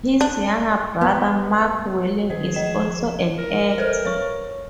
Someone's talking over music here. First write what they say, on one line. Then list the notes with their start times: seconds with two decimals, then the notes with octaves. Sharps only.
His younger brother, Mark Welling, is also an actor.
0.21 D4
1.01 B3
2.30 D#3 G#4 D#5
2.54 F3 D#5 E7
3.39 A#4
3.78 A4 B4 C5
4.05 C#5 C#6